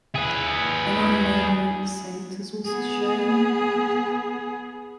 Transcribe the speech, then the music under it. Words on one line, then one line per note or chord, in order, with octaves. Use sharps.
An unknown monk saint is also shown.
G#4 B4
B3 G#4